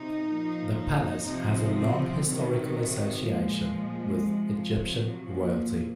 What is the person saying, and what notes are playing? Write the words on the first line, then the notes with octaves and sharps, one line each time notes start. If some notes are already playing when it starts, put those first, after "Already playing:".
The palace has a long historical association with Egyptian royalty.
Already playing: C3 D#4
A#2 F3
D#4
C3 F3
C4
C3 D#3 F#3
A#2 F3 G#3
C3 F3
F#3
A#2 F3